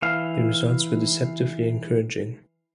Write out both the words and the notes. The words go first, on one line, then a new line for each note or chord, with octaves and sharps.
The results were deceptively encouraging.
E3 F5